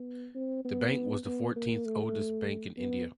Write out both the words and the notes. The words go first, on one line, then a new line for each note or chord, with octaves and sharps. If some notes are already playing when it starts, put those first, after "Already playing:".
The bank was the fourteenth oldest bank in India.
Already playing: B3
C4
B3
B3
A#3
A3
B3